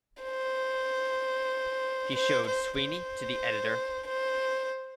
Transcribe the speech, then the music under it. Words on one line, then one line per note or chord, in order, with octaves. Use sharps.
He showed Sweeney to the editor.
C5
C5
C5
C5
C5